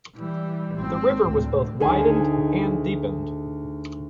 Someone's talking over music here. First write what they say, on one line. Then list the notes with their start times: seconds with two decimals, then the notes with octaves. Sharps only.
The river was both widened and deepened.
0.16 E3 G3
0.75 G#1 C4
1.26 D2 A2
1.80 D2 D#4 G#4 G#5